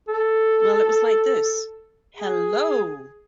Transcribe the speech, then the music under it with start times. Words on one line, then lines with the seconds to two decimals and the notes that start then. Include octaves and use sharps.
Well, it was like this — hello!
0.08 A4
2.17 G#4